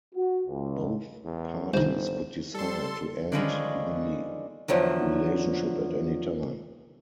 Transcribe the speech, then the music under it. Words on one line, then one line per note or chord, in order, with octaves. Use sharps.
Both parties could decide to end the relationship at any time.
F#4
C#2
E2
G1 C2 D#3 C5
G3 A4 C6
D3 D#3 F3 G3 G#3 C#4
E2 D3 F3 F#3